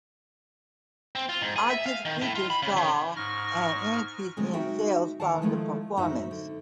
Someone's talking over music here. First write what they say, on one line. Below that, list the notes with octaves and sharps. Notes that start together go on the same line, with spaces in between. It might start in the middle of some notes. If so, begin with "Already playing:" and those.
Artists featured saw an increase in sales following the performance.
C4
F4
G#2
G#4
E5
F5
D#3
A2
F4
B5
C#3
C#3
G#2 C#6 F6 A#6
D3 F3 F#3 G#3 A3 C4
D#4 F#4 A#4 E5 G5
D#2 D#3 A#4 F5 F#5 A5
D#3 F3 G#3 A3 E4 F4
F#2 D#4 F#4 C5 E5
D3